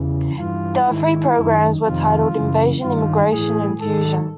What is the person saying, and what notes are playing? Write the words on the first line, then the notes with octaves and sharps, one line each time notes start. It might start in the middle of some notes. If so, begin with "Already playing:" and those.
The three programmes were titled: "Invasion", "Immigration", and "Infusion".
Already playing: E2 C#3 E3
G2 E3 F4
G#2 D#3 E4
F#2 D#3
F2 C3 D#3 F4
F#2 C#3 E3
G2 D#3 F4
A2 E3 G#4
G#2 D#3 A4